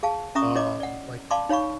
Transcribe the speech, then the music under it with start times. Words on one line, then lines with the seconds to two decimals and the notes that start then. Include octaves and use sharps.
um, like,
0.03 G#4 F5 A5
0.35 C#4 E5 A#5 C#6 D#6
0.55 E4 C#5 D#5 D6
0.80 D5 F#5
1.31 D5 F5 A5 B5 C6 D6
1.49 D#4 C#5 F5 B5 C#6